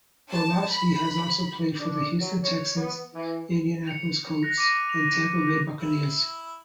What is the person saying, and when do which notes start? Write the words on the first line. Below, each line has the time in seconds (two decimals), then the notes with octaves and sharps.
Orlovsky has also played for the Houston Texans, Indianapolis Colts and Tampa Bay Buccaneers.
0.30 A5
0.69 B5
1.80 D4
2.19 F#3
2.42 C#5
2.76 B3
3.14 E3
3.88 C#7 F7
4.43 F#6 A#6
4.58 D6 A#6 D#7
4.89 F7
5.79 E4